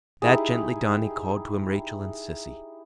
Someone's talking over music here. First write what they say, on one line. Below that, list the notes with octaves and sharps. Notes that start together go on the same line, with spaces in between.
That gently done, he called to him Rachael and Sissy.
D#4 E4 G4 G#4